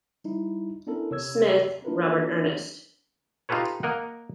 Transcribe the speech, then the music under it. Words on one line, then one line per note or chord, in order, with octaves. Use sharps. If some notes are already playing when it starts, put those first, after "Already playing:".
Smith, Robert Ernest.
G3 D#4 E4
B3 C#4 D4 E4 A4 A#4
C3 C#5 E6 G#6
A#3 D4 E4 F4 A#4 B4
D#4 F4 G4 A4 B4 C#5
A#3 A#4 D#5 F#5